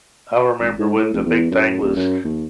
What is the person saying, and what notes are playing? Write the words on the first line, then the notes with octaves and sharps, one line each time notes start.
I remember when the big thing was
G#1
G#2
A2
F1
E2
F#2
D#1
F#2
D#2